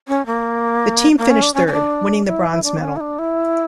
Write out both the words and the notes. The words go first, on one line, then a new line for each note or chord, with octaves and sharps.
The team finished third, winning the bronze medal.
C#4
A#3
A#3
C#4
D4
C#4
C#4
D4
E4
D4
A#3
C#4
E4
D4
E4